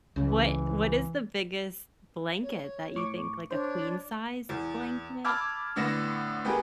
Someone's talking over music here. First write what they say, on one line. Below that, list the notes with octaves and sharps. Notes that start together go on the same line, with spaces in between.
what what is the biggest blanket that you think, like, a queen-size blanket?
C#2 C#3 E3
C#5
A2 C#6 D6
D4 C5 C#5
E2
A5 B5 D6 E6 F6 G#6
A2 D3 B3 A#6 C#7 E7
B3 G4 G#4 A#4 B4